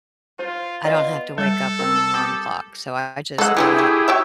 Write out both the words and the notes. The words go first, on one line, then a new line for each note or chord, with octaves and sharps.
I don't have to wake up with an alarm clock, so I just get up,
F4 C5
B3 F4 D5 D#5
G3 A4
C4 A#4 E6
G4 D#6
G#3 A4 F#5
D3 E3 C4 E4 G4 G#4
A3
F#4 G4 C#5 E5